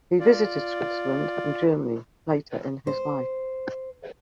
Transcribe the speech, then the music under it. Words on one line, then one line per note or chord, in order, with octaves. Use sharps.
He visited Switzerland and Germany later in his life.
F4 D5
C5